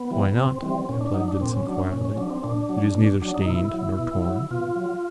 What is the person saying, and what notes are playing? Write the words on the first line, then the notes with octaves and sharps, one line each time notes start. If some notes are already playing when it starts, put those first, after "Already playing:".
"Why not?" replied Vincent quietly; "it is neither stained nor torn."
Already playing: B3
E3 G3
C3 C4
E3 G3 C4
A#2 C#4
D4
F#3 D#4
D4
A#2 C4
C#4
F#3 D4
C#4
A#2 C#4
C#4
F#3 D4
C4
A#2 D4
F#3
B2 D4
F#3 D4
D#4
B2 E4
F#3
B2
F#3
B2 F4
F#3